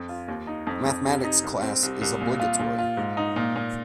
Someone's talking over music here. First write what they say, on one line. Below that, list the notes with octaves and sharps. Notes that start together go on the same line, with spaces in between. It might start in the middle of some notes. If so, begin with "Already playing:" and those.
Mathematics class is obligatory.
Already playing: F2
F4
D#2
D#4
F2
F2
C3
D#4
C2
C4
C2
C2
A#2
F4
A#2
F4
G#2
D#4
A#2
A#2